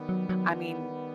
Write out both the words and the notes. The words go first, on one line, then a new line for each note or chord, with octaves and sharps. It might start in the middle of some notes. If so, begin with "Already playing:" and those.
I mean,
Already playing: D#3 G3 B3
F#3
F#3